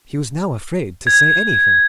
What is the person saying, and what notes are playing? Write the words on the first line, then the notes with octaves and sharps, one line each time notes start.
He was now afraid to say anything.
G#6